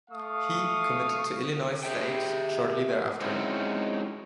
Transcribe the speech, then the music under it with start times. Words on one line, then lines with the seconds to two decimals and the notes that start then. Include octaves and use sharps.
He committed to Illinois State shortly thereafter.
0.11 A3 F5 C#6 D#6
1.83 G4 G#4 E5 G5
3.21 G#3 C4 C#4 D#4 E4 F#4